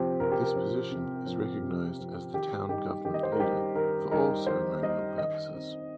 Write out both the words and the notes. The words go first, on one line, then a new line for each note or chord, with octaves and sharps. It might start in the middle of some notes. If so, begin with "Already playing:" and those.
This position is recognized as the Town government leader for all ceremonial purposes.
Already playing: C3 F3 C4 G4
C3 A#4
G4
A#4
F3 C4
C3
F3 C4
C3
F3 C4
D#3 G4
G3 D#4 G4
D#3 G4
D#5
C5
A#4
G3 D#4 G4
D#3 A#4
G3 D#4 A#4
D#3 C5
G3 D#4 D#5
D#3 D#5
C4 D#4